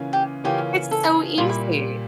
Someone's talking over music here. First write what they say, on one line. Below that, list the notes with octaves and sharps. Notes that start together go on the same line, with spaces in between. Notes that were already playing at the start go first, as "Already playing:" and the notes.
it's so easy.
Already playing: C#3 E3 A#3 C#4 F4
G4
C#3 E3 A#3 C#4 F4 G4
A4
A#2 G3 A#3 F4
E4